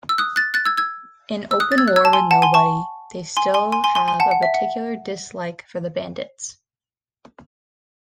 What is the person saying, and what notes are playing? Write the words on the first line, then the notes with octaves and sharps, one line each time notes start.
In open war with nobody, they still have a particular dislike for the Bandits.
E6
D#6 F#6
F#6 A6
F#6 A6
E6 G#6
E6 G#6
E6
D#6 F#6
A6
E6 G#6
F#6
E6 G#6
A5
G#5 C6
F#5 A5
G#5 C6
A5 C#6
G#5 C6
G#5 C6
G#5 C6
G#5 C6
G#5 C6
G#5 C6
F#5 A5
F#5
E5
F#5